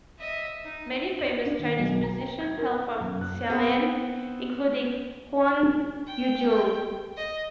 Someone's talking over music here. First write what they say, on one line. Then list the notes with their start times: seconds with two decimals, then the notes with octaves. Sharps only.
Many famous Chinese musicians hail from Xiamen, including Huang Yujun.
0.18 D#5 E5
0.64 D#4
1.19 F#7
1.45 D4
1.59 D#3
1.79 B1
2.03 A#5
2.21 G5
2.41 G#6
2.58 A#4
2.71 F#6
3.00 F#2
3.21 F#6
3.50 B3 C4
6.07 G5
7.17 D#5